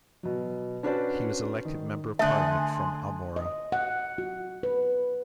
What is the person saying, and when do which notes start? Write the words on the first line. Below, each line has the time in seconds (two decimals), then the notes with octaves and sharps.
He was elected Member of Parliament from Almora.
0.23 B2 F#3
0.83 C#4 D4 F#4 B4 C5 D5
1.65 D#3
2.19 D3 A3 E5 G#5 A5 C6 D#6 F#6
3.36 D#5
3.72 F#5
4.18 F#4
4.63 B4